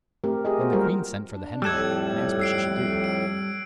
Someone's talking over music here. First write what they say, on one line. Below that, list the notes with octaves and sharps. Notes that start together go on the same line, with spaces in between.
Then the queen sent for the Hen-Wife, and asked what she should do.
A3 C4 G4 A#4
G4 G#4 A#4 D#5
F#4 C5
F#3 G3 A#3 F4 A#4 C5
D4
F2 A2 G3 A4 E6 F#6 G#6
E6 C7 D7
D7